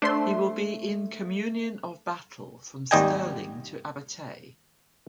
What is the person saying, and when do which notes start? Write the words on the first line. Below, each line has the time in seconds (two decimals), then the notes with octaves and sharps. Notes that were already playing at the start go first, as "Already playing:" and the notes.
He will be in communion of battle, from Stirling to Abertay.
0.02 A3 D4 C5 C6
2.91 G#1 D#2 G3 D#5 G5 G#5